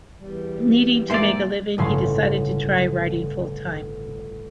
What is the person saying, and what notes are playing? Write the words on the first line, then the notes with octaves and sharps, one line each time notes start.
Needing to make a living, he decided to try writing full-time.
E2 G3
G#2 A#3 D5 E5 C6
G1 A2 C#3 A3 C#5 C6